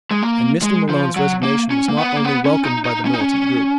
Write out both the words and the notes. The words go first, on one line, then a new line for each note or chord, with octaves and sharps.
And Mr. Malone's resignation was not only welcomed by the militant group.
G#3
A#3
G#3
F3
F#3
A#3
C#4
A#3
B3
A#3
B3
C#4
D#4
D#4
C#4
D#4
C#4